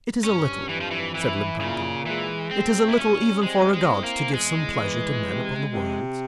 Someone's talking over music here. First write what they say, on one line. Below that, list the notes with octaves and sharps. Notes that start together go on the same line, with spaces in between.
"It is a little," said Limpang-Tung, "it is a little even for a god to give some pleasure to men upon the Worlds."
G2 C#4
F2 E3
F3
E3
E3 E4
A#2 C#3
E3 G#3
A#2 C4
E4
G3 C#4
G#3 C4
G#3
E4
A#3
E2 G#3
E3
C3
C3